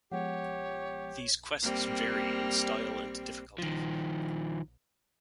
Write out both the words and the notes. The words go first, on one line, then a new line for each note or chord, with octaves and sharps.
These quests vary in style and difficulty.
F3 G#3 B3 G4 C#5 F#5
G3 A#3 C4
D#3 F3